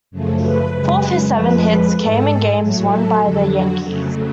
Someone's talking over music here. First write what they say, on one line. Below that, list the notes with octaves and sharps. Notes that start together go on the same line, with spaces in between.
Four of his seven hits came in games won by the Yankees.
F#2 C#3 F3 A3
B4
F#2 C#3 G#3
F2 F3 G#3 B4
B4
G#2 G#3 A4
A2 F#3 A3
A4
F2 D3 F#3 A4
F#4
F2 C#3 F#3 A3